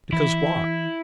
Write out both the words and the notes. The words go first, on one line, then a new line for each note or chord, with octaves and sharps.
'Because why?
E3 E4